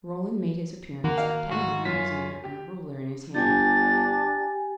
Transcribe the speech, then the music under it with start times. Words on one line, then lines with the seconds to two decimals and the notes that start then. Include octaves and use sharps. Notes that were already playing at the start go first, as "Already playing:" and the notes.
Roland made his appearance, a pen behind his ear, and a ruler in his hand.
1.04 D#3 A#3 F#4 F#5
1.18 F5
1.51 G#2 F#4
1.85 F#2 C#4 F4 B6
2.44 G4
3.35 G1 D4 G4 G5 G#5 A6